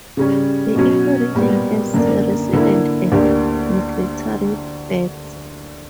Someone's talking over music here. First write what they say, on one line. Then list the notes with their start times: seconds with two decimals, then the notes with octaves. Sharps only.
The ecoregion has resident and migratory bats.
0.17 C#3 G3 C#4
0.75 B2 F#3 C#4
1.35 A#2 G3 B3
1.94 F#2 D3 A#3 D4
2.53 D3 A#3 E4
3.12 D2 D3 A#3 D4 G4